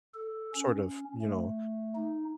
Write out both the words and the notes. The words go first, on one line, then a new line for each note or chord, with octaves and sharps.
sort of, you know,
A4
C#4
A3
D#4